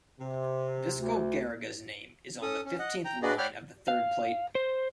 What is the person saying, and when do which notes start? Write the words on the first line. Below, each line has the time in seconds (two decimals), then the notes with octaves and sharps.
Viscal Garriga's name is on the fifteenth line of the third plate.
0.20 C3
0.98 D2
2.42 C#4 A4 D#6
2.65 C#4
2.79 D#5 F#5
3.05 G5 A#5
3.22 D4 F#4 G#4 B4 D5 D#5
3.38 C#5 D5 F#5 G5 B5 F6
3.88 F5
4.55 C5